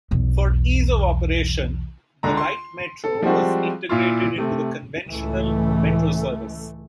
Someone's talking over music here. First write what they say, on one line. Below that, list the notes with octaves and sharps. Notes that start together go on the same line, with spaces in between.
For ease of operation, the Light Metro was integrated into the conventional Metro service.
B1 E2
C#2 D3 A#5
C6
A4
F3 G3 G#3 C4 F#4
A#2 E4 F4
C3 A3
C#2 A2 E3 A3